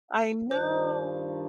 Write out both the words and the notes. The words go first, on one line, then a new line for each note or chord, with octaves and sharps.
I know,
G2 D#3 G3 D4 F4 C5